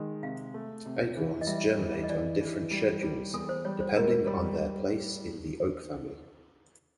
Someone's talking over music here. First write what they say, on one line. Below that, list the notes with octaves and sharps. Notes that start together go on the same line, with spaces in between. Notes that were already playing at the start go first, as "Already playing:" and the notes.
Acorns germinate on different schedules, depending on their place in the oak family.
Already playing: D#3 G#3
C3 F5
A3
C3
E3
D#5
G3 E5
E3
D#5
E3 D5
E3
G3
G3
E2 A4
C5
G3 C#5
C5
G#2 A#4
G3
G3